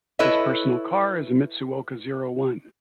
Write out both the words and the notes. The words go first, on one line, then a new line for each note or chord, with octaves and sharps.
His personal car is a Mitsuoka Zero One.
E4 A4 B4 C#5 D#5 E5